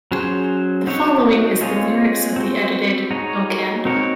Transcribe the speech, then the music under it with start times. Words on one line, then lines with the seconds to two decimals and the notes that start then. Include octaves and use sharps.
The following is the lyrics of the edited "O Canada".
0.12 F#3 C#4 G#4 C5
0.87 C4 D#4 F#4 C#5
1.61 G#3 C4 F4 G#4 C#5
2.36 C4 F#4 C5
3.11 G#3 D#4 F#4 C#5
3.85 C4 D#4 F#4 A#4 C#5